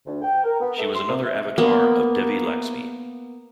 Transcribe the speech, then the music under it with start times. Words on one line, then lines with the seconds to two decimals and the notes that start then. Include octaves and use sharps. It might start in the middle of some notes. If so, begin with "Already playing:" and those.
She was another avatar of Devi Laxmi.
0.06 D2
0.22 G5
0.44 A#4
0.61 B3
0.79 A3
0.95 C6
1.08 C3
1.23 E5
1.58 A#3 B3